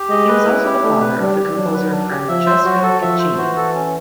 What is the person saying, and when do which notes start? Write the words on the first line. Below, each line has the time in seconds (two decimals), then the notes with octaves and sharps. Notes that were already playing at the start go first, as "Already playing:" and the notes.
He was also the father of the composer Francesca Caccini.
Already playing: G4
0.10 G#3 D#5
0.28 B4
0.46 E4
0.64 G4
0.83 A3 D4
1.01 B4
1.19 G3 D4
1.38 G4
1.56 F#3 D4
1.74 B4
1.92 D4
2.10 G4
2.28 F3 E5
2.46 C5
2.65 F#3 F#4
2.83 A4
3.02 F3 E5
3.19 C5
3.38 E3 F#4
3.57 A4
3.75 C#4